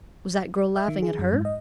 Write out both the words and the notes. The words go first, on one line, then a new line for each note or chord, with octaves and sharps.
Was that girl laughing at her?
E5
D#3
G#4
F#2
G#2
D#5